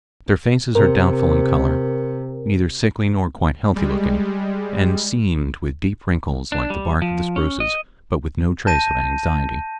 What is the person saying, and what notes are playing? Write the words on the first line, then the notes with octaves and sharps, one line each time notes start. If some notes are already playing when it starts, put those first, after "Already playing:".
Their faces are doubtful in color, neither sickly nor quite healthy-looking, and seamed with deep wrinkles like the bark of the spruces, but with no trace of anxiety.
C3 A#4
G3 G#3
D4
G3
F3
C#4
D#5
A5 G6 A#6 D#7